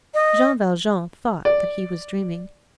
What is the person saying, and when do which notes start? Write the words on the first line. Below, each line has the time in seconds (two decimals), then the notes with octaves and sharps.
Jean Valjean thought that he was dreaming.
0.14 D#5
1.45 D5